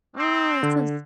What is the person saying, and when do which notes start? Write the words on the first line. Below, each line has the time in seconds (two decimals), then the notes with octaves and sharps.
Oh, that sounds
0.17 C4
0.63 D3